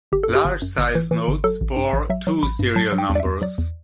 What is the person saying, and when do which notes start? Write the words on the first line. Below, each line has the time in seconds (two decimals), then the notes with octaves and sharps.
Large-size notes bore two serial numbers.
0.12 G1 G4
0.23 A4
0.29 F#2
0.35 G4
0.45 G1
0.62 F#2
0.78 G1
0.95 E3
1.11 E3
1.28 G1
1.44 F#3 A4
1.61 A1
1.77 G2
1.93 A1
2.10 F#3 E5
2.27 F#3
2.43 A1 B5
2.59 G2
2.76 F#3 A5
2.92 F#3
2.98 G5
3.09 E2
3.15 D5
3.20 E5
3.25 E2
3.42 F#3 D5
3.58 E2